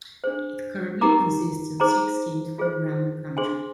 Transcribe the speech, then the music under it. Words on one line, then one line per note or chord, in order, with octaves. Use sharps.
It currently consists of six teams from around the country.
D4 G#4 C5
D#4 G4 A#4 A#5 D6
D#4 G#4 C5 A#5 D6
F4 G#4 C5
D4 G#4 C5 G#5 C6